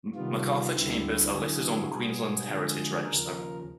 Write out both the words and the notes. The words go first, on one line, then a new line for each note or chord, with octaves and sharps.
MacArthur Chambers are listed on the Queensland Heritage Register.
C3 D#3 G3 B3 F4
D2 D3 G3 C4 E4
D3 F#3 B3 E4 G#4
B2 G3 B3 G#4
D3 F3 G#3
D#2 C#3 F3 A#4